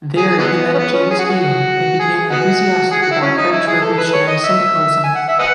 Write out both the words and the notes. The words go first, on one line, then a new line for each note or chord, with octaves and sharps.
There he met James Guillaume and became enthusiastic about French revolutionary syndicalism.
G#4
G#4
E3 G#3 B3
C#4
B3
C#4
G#4
F#4
G#4
F#4
G#4
G#4
B3 D#4 F#4
G#4
F#4
E4
C#4
D#4
E4
G#4
A4
A4
B4
C#5
D#5
E5
G#5
F#5
E5
B4 D#5 F#5